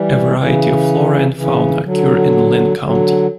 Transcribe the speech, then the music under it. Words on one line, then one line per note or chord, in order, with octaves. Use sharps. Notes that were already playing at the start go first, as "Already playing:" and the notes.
A variety of flora and fauna occur in Linn County.
Already playing: E3 G3
C#3 E3
C#3 E3
D3 F#3
D3 F#3